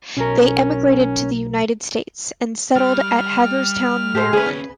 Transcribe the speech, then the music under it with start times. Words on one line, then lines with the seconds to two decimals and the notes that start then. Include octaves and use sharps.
They emigrated to the United States, and settled at Hagerstown, Maryland.
0.17 B1 C#4 A#4
2.76 G3 F6
4.15 A2 G4 A4 C5
4.33 D2 C#4 G#4 B4